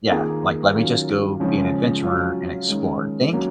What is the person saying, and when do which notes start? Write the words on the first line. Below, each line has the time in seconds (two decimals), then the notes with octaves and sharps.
Yeah, like, let me just go be an adventurer and explore, think
0.10 D#3 A#3 F4 G#4
0.75 D#3 F#3 C#4 F4
1.40 C#3 F3 G#3 C#4
2.03 F#3 C#4 F4
2.68 D#3 G#3 C#4
3.33 F#3 A#3 C#4